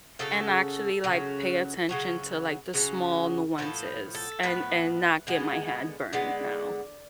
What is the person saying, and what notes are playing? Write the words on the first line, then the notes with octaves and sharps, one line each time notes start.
and actually, like, pay attention to like the small nuances and and not get my hand burned now.
C#3 F#3 C#4 A4
C#3 F#3 C#4
C#3 F#3 C#4
C#3 F#3 C#4
A2 F3 B3 A4
A4
A2 F3 B3 B4
D3 G#3 B3
D3 G#3 B3 D5